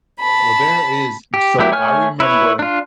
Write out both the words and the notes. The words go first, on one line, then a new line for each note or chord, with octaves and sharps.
Well, there is so I remember
A5 B5
G4
F#3 A3 E4 G4
A3 C#5 G#5 F6
E4 B4 C#5
D4 F4